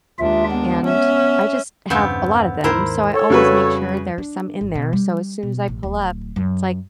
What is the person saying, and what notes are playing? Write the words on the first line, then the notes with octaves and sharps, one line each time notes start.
and I just have a lot of them, so I always make sure there's some in there, so as soon as I pull up, it's like
D#2 G#3 D4 F4 E5
B3
C#4 E5
E2 G2 C#3 B3 C4
D#2 G#2 D#3 E4 A#4 C5
A4 C#5
F2 C#3 G3 F#4 B4
D4
G#1
B2
G3
B2
A1
D1
F#2